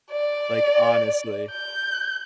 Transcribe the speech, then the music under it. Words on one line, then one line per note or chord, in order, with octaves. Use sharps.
Like, honestly.
D5
G6